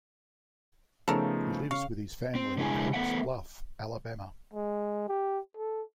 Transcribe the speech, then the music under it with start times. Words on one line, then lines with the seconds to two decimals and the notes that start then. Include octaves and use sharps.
He lives with his family in Hokes Bluff, Alabama.
1.08 C#3 F3 A3 B3 D#4 F4 A4 A#4
1.71 C#3 F5 C#6
2.35 C4
2.58 C#3 G#3 D4 E4 G#4 G#5
2.93 A3 B3 E5 F#5 G5
4.53 G#3
5.08 G4
5.57 A4